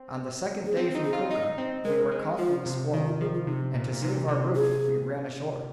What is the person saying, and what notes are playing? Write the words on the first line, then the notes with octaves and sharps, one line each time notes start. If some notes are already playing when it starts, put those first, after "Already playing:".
On the second day from Coca we were caught in a squall, and to save our roof we ran ashore.
Already playing: C4
G#4
C4 F4
D#4
G#4
F4
D#4 D#5
C4
G#3 A#4
G#3
F3 F4
C3
D#3 D#4
F4
F3 G#4
F4
C3 D#4
A#2
A#2
C3 D#4
C3
G#4